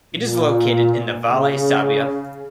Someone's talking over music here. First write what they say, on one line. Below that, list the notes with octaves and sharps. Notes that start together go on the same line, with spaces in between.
It is located in the Valle Sabbia.
A#2
C#3